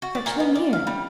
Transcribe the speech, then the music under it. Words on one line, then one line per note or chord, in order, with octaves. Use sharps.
"Fetch them here."
F#4
D5
A#2
B3
D5
F5
G3